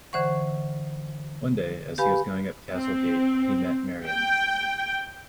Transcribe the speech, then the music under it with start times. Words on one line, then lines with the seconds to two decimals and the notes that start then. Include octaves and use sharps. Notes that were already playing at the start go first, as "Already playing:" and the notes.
One day, as he was going up Castle Gate, he met Miriam.
0.13 D3 E3 C5 F#5 C#6
1.98 G4 B4 F5 G#5 B5
2.72 C4
4.06 G5